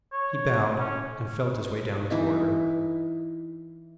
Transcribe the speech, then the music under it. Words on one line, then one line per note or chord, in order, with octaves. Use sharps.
He bowed and felt his way down the corridor.
C#5
C#4
E3 D#4 E4